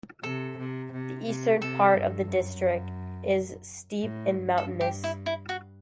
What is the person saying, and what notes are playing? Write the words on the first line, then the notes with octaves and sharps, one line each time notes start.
The eastern part of the District is steep and mountainous.
C3 A4
C3
C3
C3
C3 A4
G2
F#2
A2
G2
A4
G4
E4
E4
F#4